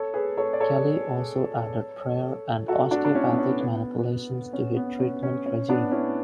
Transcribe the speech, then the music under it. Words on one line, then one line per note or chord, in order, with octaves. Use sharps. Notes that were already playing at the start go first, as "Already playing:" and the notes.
Kelley also added prayer and osteopathic manipulations to his treatment regime.
Already playing: A4 C#5
G#4 B4
A4 C#5
D5
A4 C#5
F#4 A4
D4 F#4
D4
C#4 E4
B3
C#4
B3
C#4
B3
C#4
C#4
C#4
B3 D4
C#4 E4